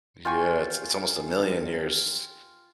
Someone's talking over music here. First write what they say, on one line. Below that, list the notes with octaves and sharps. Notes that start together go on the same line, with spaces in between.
Yeah, it's it's almost a million years.
F4 G5 G#5 C#6